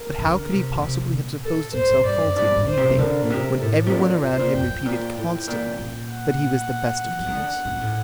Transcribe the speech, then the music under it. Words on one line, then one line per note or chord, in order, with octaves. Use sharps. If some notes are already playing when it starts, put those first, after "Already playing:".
But how could he possibly have supposed himself faulty in anything when everyone around him repeated constantly that he was the best of kings?
Already playing: A#4
D3
C3
D3
C3
C3
A#2
A4
A2 C5
A#2
G2 D5
F#2
G2 D5
A2
C5
C3
C3
D3 A#4
A#2
C3
A2 A4
C3
A#2 A4
A2 C5
A#2
F#2 G5
A2
A#2 G5
A2
A#2
A#2
F#5
G3
F#3
D#3
D3
A#2
A2